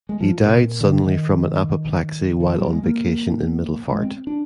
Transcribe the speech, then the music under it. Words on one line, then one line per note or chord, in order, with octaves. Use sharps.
He died suddenly from an apoplexy while on vacation in Middelfart.
G#3
F3
A#2
C3
A#2
D3
D#3
D#3
F3
G3
G#3
A#3
G#3
C4
D4